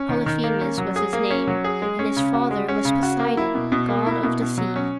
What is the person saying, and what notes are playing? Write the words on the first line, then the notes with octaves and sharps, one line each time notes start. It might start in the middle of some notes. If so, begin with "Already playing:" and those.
Polyphemus was his name, and his father was Poseidon, god of the sea.
Already playing: C#4
D#3
D#3
A#3
C#4
F#3
G#4
A#3
C#4
F#3
G#4
G#3
C#4
C#3
F#4
G#3
C#4
C#3
F#4
A#3
E4
B2
B2
A#3
E4
B2
B2
F#3
C#4